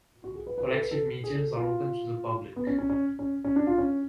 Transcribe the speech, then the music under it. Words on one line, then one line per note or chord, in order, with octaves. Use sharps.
Collective meetings are open to the public.
F#4
G#4
B4
B4
A4
B4
A4
G#4
A4
F4
B3
C#4
C#4
C#4
C#4
C#4
D4
F4
C#4